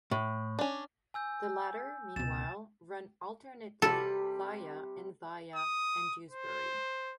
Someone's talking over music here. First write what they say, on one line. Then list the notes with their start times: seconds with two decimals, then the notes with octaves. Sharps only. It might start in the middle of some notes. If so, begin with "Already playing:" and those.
The latter meanwhile run alternately via and via and Dewsbury.
0.11 A2
0.59 C#4 D4
1.14 G#5 E6 G6
2.16 C#2 B2 A6 E7
3.82 C3 G3 A4 B4
5.56 D#6
6.31 C5